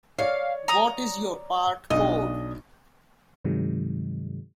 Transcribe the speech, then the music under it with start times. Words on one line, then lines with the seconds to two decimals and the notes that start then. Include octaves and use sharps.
What is your part code?
0.19 C#5 D5 F5
0.68 A#5 D#6
1.90 B1 D4 D#5
3.45 G2 C3 D#3 F#3 G#3